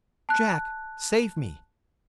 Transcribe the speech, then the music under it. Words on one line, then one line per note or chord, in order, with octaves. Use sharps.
Jack! save me!'
A5 F#6